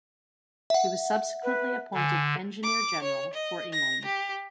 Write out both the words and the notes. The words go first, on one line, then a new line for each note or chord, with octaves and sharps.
He was subsequently appointed engineer-general for England.
E5 F#5
B4
D3 G#5
D6
C#5
D#5
A#6
G4